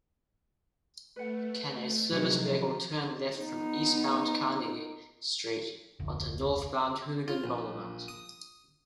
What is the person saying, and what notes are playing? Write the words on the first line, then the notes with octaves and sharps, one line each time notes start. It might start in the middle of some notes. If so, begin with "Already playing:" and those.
Can a service vehicle turn left from eastbound Carnegie Street onto northbound Hooligan Boulevard?
A3 B4 F#5
C3 D#3 F3 F#3 D#4 F#4 G#4
B3 D#4
F1 D2
F4
A#1
D#6